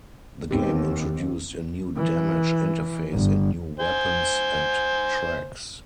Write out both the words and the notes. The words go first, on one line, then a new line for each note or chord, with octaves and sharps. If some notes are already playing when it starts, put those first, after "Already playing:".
The game introduced a new damage interface and new weapons and tracks.
D#2 B3 C4 G4
E3
G1
C5 G#5